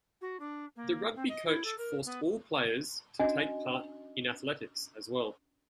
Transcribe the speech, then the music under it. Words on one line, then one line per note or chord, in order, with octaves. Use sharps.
The rugby coach forced all players to take part in athletics as well.
F#4
D4
A#3
C4
D#5
E4
A4
A#4
B3
C#4 D4 F#4 D#5 G#5